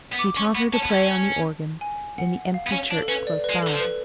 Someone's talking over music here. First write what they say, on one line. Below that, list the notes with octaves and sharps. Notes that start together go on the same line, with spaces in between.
He taught her to play on the organ, in the empty church close by.
B3
D6
C#4 C#6
B3
C#4 A5
B3
C#4
G#5
F#5
F5
B3
C#4 C#5
D4
A4
C#4 B4
D5
B4
G#3
A4
D3
F3
B4